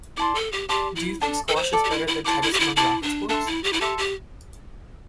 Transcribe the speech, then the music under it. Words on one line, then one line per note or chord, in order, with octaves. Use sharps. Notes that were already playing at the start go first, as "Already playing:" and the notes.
Do you think Squash is better than Tennis among Racket Sports?
E4 D5 A5 C6
A4
G4
G4 D5 A5 C6
E4
D4 A4 D5 A5
A4
C5
A4 D5 A5
G4
E4
E4
E4 C5 A5 D6
E4
G4
E4
E4 C5 A5 D6
D4
D4 A4 E5 C6
E4
G4
E4
G4 A4 E5 C6
G4